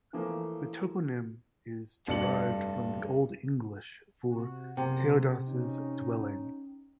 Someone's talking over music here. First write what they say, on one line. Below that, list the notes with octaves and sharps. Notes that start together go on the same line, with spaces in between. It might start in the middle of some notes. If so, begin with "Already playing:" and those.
The toponym is derived from the Old English for "Teoda's dwelling".
E3 F3 A3 A#3
F1 G2 D5 C#7 F#7
C3 F#4
F#1 F#2 C3 G5
C#4 D#4